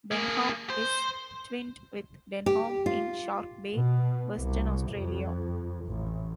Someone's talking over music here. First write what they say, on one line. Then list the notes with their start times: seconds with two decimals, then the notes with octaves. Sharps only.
Denham is twinned with Denham in Shark Bay, Western Australia.
0.12 A#3 G#4
0.70 C5
2.46 G4
2.86 F4
3.77 B2
4.35 C2
4.91 F2
5.84 A1